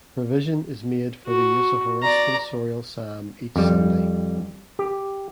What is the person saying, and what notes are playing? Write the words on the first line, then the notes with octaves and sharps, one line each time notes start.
Provision is made for the use of a responsorial psalm each Sunday.
F#4
D5 A#5
F2 G3
G4